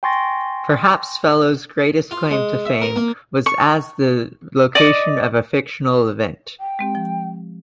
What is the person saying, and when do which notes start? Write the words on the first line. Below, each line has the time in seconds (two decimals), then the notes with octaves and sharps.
Perhaps Fellows' greatest claim to fame was as the location of a fictional event.
0.03 G5 G#5 C6 C#6 A6 A#6
2.11 F4
2.31 G#3
2.66 E5
2.82 A#4
2.96 A#3
3.46 C#6
4.75 D5 D#5 D6
6.60 G5
6.79 G#3 C4 G4
6.95 F3